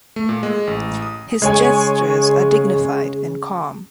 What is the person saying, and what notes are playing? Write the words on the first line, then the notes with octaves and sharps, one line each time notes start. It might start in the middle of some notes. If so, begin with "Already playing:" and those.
His gestures are dignified and calm.
A3
A#2
G#3
A1
D#6
C#3 G#3 C#5 G#5